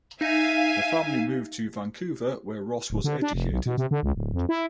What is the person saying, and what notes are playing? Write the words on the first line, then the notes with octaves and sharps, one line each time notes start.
The family moved to Vancouver where Ross was educated.
D#4 E5 F5 G#5
D1
D3
D4
F1
B1
B2
C3
D3
C#2
D1
F2
E4